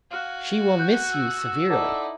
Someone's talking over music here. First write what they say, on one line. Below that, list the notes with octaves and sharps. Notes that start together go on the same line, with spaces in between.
"She will miss you severely."
F#4 F5 G#5 F6 F#6
F#5 F#6 G6
E6
D#4 E4 A4 D5 F#5 A5